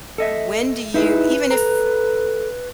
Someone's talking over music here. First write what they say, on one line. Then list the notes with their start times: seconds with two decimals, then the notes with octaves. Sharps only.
When do you even if
0.18 A4 D#5 E5
0.94 D#4 E4 G#4 B4
1.51 A4 A#5